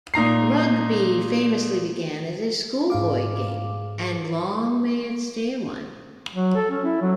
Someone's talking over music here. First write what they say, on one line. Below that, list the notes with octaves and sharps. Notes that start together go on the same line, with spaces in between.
Rugby famously began as a schoolboy game, and long may it stay one.
A#2 D#4 A#5 C7
G#2 G#4 F5 D6
F#3
A4
C#4
E4
F#3